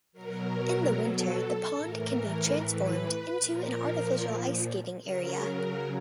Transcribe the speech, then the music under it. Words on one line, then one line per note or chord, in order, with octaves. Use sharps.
In the winter, the pond can be transformed into an artificial ice skating area.
B2 F#3 A#4
A4
A2 E3 A#4
B4
A#2 F3 A#4
C#3 F#3 A#4